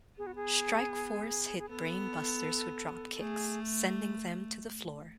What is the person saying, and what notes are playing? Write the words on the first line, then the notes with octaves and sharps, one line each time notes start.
Strike Force hit Brain Busters with dropkicks, sending them to the floor.
B3 G#4
F#4
G#4
G#4
B3 A4
A3 G#4